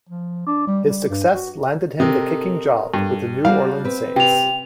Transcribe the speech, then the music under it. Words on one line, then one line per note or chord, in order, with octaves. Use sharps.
His success landed him the kicking job with the New Orleans Saints.
F3
D4
G3
G3
G2
F#4
C3 A4 A#4 D#5
G2
G3 D4 F#4 F5
C4 B4
C3 G5 F7